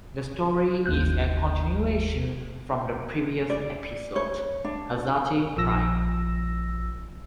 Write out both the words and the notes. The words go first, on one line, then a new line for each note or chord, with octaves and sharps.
The story is a continuation from the previous episode, Azati Prime.
G1 D#2 F#6 G6
D5
C#5
D4
A#1 F3 E6 A#6